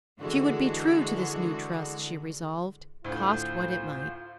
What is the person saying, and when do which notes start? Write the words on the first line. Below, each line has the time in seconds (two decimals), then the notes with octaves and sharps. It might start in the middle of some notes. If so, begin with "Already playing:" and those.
She would be true to this new trust, she resolved, cost what it might.
0.19 D3 E3 G#3 F#4
3.04 D2 A2 F4 C5